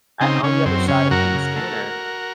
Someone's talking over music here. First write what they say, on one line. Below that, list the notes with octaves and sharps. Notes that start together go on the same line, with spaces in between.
at on the other side of the scanner,
C#3 C4 D#4
C#3 C#4
F#2 C4
C#3 C#4
F#2 F#4 A#4
C#3
A3